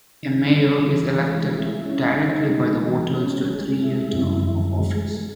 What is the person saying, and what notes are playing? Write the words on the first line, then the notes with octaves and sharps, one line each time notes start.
A Mayor is elected directly by the voters to a three-year term of office.
D#3
C#4
E3
G#3
E4
C#4
D#4
G#3
E3
C#4
G#3
E4
F#2
F#2
G#3